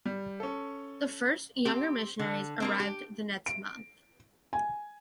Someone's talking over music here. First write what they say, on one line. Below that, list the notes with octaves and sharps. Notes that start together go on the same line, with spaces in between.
The first younger missionaries arrived the next month.
G3
C#4 A4
C4 G4
D3
G3 A#3 C4
G4
D7
G#5